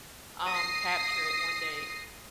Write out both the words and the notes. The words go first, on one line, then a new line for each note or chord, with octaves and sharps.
um, capture it one day
D#6 A#6 C7